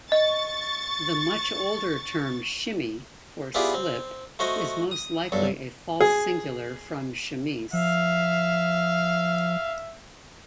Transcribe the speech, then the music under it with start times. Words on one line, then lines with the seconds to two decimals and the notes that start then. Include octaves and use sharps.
The much-older term "shimmy" for "slip" is most likely a false singular from chemise.
0.12 D#5 C#6 A6
3.55 B3 E4 F4 G4 G#4 D5
3.74 C4
4.39 A3 F#4 C5 D#5
4.91 D#6
5.32 B1 G2 A4
6.01 G#4
7.73 F3 E5 F5